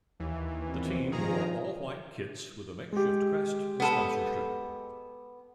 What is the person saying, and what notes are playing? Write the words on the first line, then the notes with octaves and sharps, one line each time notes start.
The team wore all-white kits with a makeshift crest and sponsorship.
D#2 E3
A#2 B3 C4
G2 D#3 F3 G#4 A#5
G#3 G4
B3 A4